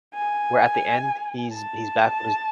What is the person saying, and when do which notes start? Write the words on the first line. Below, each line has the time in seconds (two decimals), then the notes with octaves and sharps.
where at the end, he's he's back with his
0.14 G#5
1.53 A5